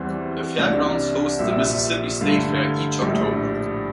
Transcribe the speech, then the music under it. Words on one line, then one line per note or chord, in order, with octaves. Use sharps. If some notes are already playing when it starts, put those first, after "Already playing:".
The Fairgrounds hosts the Mississippi State Fair each October.
Already playing: E2 E3 G3 C4 C5
C2 C3 G3 D4 D5
A#1 A#2 G3 E5
G2 D3 A3 F5
A#1 A2 G3 D4